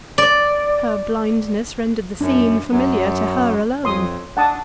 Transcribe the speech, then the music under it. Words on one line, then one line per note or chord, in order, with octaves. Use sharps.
Her blindness rendered the scene familiar to her alone.
D5
F#2 D4
F#2 F#3
F2 C#5 C6 D#6
D4 F#5 A5 D#6